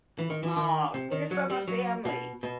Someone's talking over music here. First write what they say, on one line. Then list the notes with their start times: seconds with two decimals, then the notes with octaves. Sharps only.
Aw, get it from a family.
0.19 E3
0.30 D#3
0.43 E3
0.56 D#3
0.94 C3
1.12 D#3
1.31 F#3
1.50 G3
1.68 F#3
2.05 B2
2.43 B2